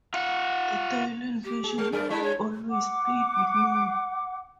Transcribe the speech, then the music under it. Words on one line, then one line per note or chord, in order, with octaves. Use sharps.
The Dylan version always stayed with me.
F4 F#5
G4
G#4
G#3 A#4
F#2 G#4 A#4 D5
G3 G#3 D4 E4
C#5
F#5 D6